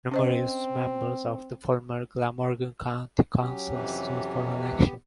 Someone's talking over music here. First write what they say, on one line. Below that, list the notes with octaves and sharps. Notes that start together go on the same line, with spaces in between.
Numerous members of the former Glamorgan County Council stood for election.
C4 C#4 C5 D#5
F#3 C#4 G4
F2 C3 E3
B3 G4